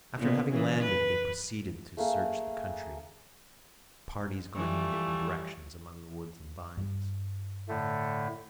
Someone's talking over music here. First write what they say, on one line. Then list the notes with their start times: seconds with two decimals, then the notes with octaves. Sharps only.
After having landed, they proceeded to search the country, parties going in different directions among the woods and vines.
0.17 A#2 B3
0.50 C#3 E3
0.80 B4
1.97 A3 A#3 G#4
4.55 E3 F3 G3 A3
6.77 G2 G3
7.69 A2 D3 A3